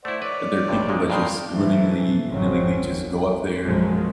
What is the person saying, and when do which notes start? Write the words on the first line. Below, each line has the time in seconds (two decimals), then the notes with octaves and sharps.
that there are people that just willingly-nilly would just go up there,
0.05 A3 E4 C5 D5 F#5
0.22 B4 C#5 D5 D6
0.68 A1 G2 C3
0.88 A#2 F3 G#3
1.10 G2 B2 D#3 D5 A#5 C6
1.51 G#2 B2 E3 A3
2.28 G#1 G#2 C#3 F3 F#3 C4
2.81 D#2
3.64 A#1 F#2 B2 F3 F#3 G#3